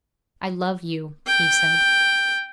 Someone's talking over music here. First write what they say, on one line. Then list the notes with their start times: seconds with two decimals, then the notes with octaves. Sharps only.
'I love you,' he said.
1.26 G5